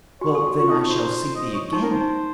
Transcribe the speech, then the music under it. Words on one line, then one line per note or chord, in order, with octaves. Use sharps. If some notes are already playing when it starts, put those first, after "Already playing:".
Well; then I shall see thee again?
F#4 C#5
A4
C#5
F#4
F4 C#5
D#4 D#5
C#5
F4 C5
D#5
C#5
D#4 C5
A#4
D#4 C5
D#4